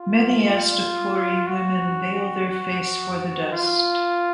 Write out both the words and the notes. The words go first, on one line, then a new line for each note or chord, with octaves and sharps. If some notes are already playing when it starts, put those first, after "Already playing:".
Many Astapori women veil their face for the dust.
Already playing: F4
F4
F#4
F#4
F4